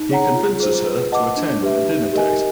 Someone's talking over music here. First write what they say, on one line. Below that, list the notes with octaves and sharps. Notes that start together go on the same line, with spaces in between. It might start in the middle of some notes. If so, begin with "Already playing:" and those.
He convinces her to attend a dinner date.
Already playing: D#4
G#4 C#5 F#5 A#5
F4
G#4 C5
B4
D#5 F#5 A5 D6
D4
G4 B4 E5
D#4
G4 A#4 D#5 G#5